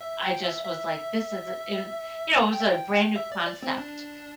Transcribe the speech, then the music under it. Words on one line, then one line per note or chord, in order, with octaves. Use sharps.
I just was like, "his is i" and, you know, it was a brand new concept,
E5
G5
E5
E5
G5
E5
G5
E5
D5
D5
C4
D4